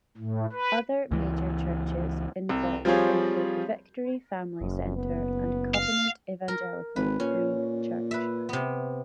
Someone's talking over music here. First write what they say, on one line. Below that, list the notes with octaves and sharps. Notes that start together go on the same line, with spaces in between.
Other major churches involved include Victory Family Centre and Covenant Evangelical Free Church.
A2
B4
C#2 E3
C2
F3 G3 C4 F4 G#4 C#5
F#1 F#2
B3
F5
A#4
G#1 B4
A#2 C#4
B4 E5
C3 B3